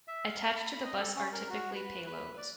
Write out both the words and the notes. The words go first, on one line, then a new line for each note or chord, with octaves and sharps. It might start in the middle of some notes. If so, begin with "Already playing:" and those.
Attached to the bus are typically payloads.
E5
F5
B5
B5
D#5
A4
C#4
A#4
F#4
B4
B4
D5